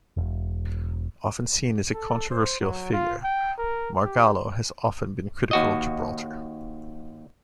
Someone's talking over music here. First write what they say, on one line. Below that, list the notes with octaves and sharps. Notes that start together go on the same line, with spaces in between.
Often seen as a controversial figure, Margallo has often been critical of Gibraltar.
E1
A4
C5
F#3
F4
G5
A#4
G4
D#2 F#4 D#5